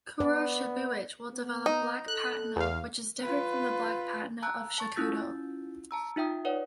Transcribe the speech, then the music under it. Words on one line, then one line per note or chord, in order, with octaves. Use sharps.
Kuro-Shibuich will develop black patina which is different from the black patina of Shakudo.
B3 D5
B3
D#4
A4 F#6
E2 F5
F4 B4
A5 A#5 E6 F#6
A5 C#6 A6
C#4 E4 F4 E6 G6 A6
A5 A#5 E6
D#4 F4 E5 G5 D#6
B4 C#5 D5 F#5